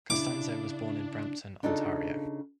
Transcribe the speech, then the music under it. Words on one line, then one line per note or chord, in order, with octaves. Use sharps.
Costanzo was born in Brampton, Ontario.
C#3 D4 E4 D6
C#3 D4 D#4 F4 A4